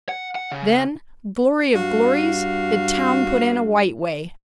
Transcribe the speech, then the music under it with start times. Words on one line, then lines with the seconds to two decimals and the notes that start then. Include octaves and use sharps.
Then, glory of glories, the town put in a White Way.
0.09 F#5
0.35 F#5
0.52 C#3
1.75 G2 F#4 F5